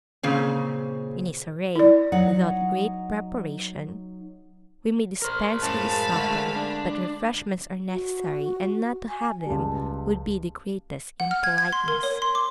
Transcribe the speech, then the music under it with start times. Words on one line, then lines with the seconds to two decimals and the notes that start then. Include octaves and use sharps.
In a soiree without great preparation, we may dispense with a supper, but refreshments are necessary; and not to have them would be the greatest impoliteness.
0.23 A#2 C#3 C4
1.76 E4 D5
2.12 F#3 D#4 F#5
5.22 A#4 C5 F6
5.62 F#2 A2 G#3 F5 A5 B5
6.12 D3 G#3 A3
6.56 D4
7.90 F#4
9.09 G#5
9.46 C#2 G3 A5
11.20 F#5
11.31 F6
11.44 G#6
11.58 G#6
11.73 C6
11.88 A#4
12.03 C#5
12.22 C6
12.35 D6